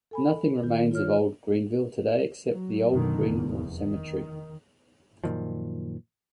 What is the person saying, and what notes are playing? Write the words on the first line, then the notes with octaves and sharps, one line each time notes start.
Nothing remains of Old Greenville today except the Old Greenville Cemetery.
A4 G#5 B5
D#3 F4
F4 C#5 F6
F#3
F#2 B2 D3 D#3
F1 E2
D#3
F#2 A#2 D#3 F3